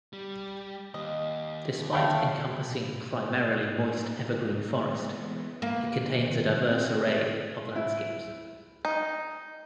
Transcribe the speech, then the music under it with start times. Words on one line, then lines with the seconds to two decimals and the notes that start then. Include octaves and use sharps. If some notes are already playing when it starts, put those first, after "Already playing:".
Despite encompassing primarily moist evergreen forest, it contains a diverse array of landscapes.
0.13 G3
0.94 D#2 D#5
1.93 A3 C#5 F5 G5 B5
3.59 A2 A#3 D#4
4.80 E3 G#3 B3
5.62 A#3 B4
6.20 D#3
6.40 D#3
6.71 C4
6.91 G#4
7.12 A6
7.76 E4
8.85 D#4